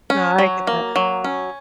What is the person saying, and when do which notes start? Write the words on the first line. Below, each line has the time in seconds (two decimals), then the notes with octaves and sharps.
No, I get that.
0.10 C#4
0.39 F#3
0.67 A#3
0.96 F#3
1.24 C#4